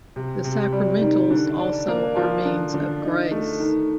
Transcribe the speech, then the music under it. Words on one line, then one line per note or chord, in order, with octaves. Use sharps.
The sacramentals also are means of grace.
C3
C3
G3
D#3
D3
D4
A#3
F3
D3
D3
D#4
A3
D#3